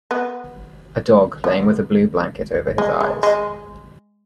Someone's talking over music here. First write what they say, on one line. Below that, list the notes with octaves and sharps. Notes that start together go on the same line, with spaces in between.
A dog laying with a blue blanket over his eyes.
B3
B3
G#3
G#3
G#3